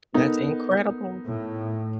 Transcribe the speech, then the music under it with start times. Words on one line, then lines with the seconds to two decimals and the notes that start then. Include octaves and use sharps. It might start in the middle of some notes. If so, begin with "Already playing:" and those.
That's incredible.
0.14 B3 D#4 A4 A#4
1.26 A2